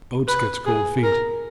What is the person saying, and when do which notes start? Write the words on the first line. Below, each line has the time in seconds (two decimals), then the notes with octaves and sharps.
Oates gets cold feet.
0.28 B4
0.66 G#4
1.03 A#4